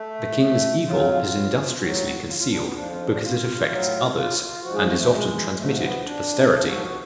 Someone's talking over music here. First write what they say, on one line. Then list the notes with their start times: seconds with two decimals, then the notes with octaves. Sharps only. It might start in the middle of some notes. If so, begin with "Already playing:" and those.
The king's evil is industriously concealed, because it affects others, and is often transmitted to posterity.
Already playing: A3
0.85 F2 C#3 F#3 F4
1.80 A2 F#3 F#4
2.27 F4
2.38 F4
2.50 D4
2.62 B3
2.74 F2 F3 D4
2.90 F4
3.05 D4
3.21 F4
3.68 A2 F#3
4.15 F4
4.39 F4
4.62 G#2 F3 F#4
4.74 G#4
4.86 F#4
4.97 A3
5.10 G#3
5.57 G#2 F3 A3
5.80 B3
6.04 D4
6.51 G#2 F3 A4
6.67 F#4
6.82 F#4